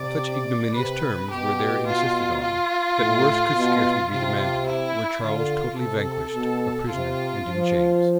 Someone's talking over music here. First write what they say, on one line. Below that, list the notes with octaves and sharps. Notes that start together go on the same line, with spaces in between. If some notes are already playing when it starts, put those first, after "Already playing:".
Such ignominious terms were there insisted on, that worse could scarcely be demanded, were Charles totally vanquished, a prisoner, and in chains.
Already playing: C3 D5
C3 B4
B2 G4
F4
F4
A2
B2
C3 F4
E4
D3 F4
C3 A4
B2
C3 F4
F3